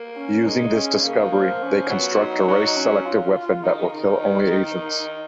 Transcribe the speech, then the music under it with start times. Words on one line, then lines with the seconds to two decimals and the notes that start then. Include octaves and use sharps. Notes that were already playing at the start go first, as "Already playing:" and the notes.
Using this discovery, they construct a race-selective weapon that will kill only Asians.
Already playing: A#3
0.17 C#4
0.45 G#3 D#4
0.75 C#4
1.04 C#3 A#3
1.18 D#3
1.32 F3
1.62 C#4
1.90 F#3 B3
2.19 D#4
2.48 F#3 D#4
2.77 C#4
3.05 F4
3.63 D#3 D#4
3.78 C#3
3.92 D#3 D#4
4.21 D#4
4.51 D#3